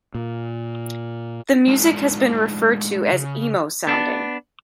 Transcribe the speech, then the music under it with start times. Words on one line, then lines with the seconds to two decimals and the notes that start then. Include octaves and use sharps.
The music has been referred to as Emo sounding.
0.15 A#2
1.68 G#3 A3 D4 D#4 F4
3.12 C#3
3.87 B3 D4